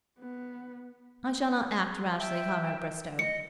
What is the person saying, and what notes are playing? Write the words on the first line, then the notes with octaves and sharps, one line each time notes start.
I shall not act rashly, Comrade Bristow.
B3
E5 G5
D#5 C#7